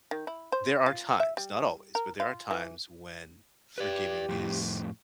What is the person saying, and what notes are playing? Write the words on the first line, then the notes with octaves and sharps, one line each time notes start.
there are times, not always, but there are times when forgiving is
D#3
E4
C5
F4
E5
G3
A#4
F4
E3
G4 B4 D5
F2 A2